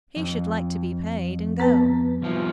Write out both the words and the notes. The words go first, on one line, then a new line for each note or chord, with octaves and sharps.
He should like to be paid, and go.
F2
B3 B4 A5
C2 F3